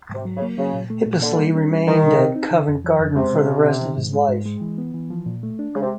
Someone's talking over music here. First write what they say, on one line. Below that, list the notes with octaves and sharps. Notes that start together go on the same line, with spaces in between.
Hippisley remained at Covent Garden for the rest of his life.
G#2 C3
F#3
C#3
A#3
C#3 F#3
A#2
A3
A#2
D3 A#3
G3
C#4
G3
D#3 G3
B2
C4
D#4
D3
F2
F3
F2
C3 G#3
B2
C#4
B2
D#3
G#2
G#3
G#2
G#3
E3
B3
E3
F3
A#2
A3
D4
C#3 G#3
C3